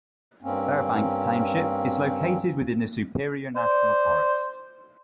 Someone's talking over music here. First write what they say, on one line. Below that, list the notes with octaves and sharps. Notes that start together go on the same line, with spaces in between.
Fairbanks Township is located within the Superior National Forest.
G2 A#3 C4 C#4
C5 D5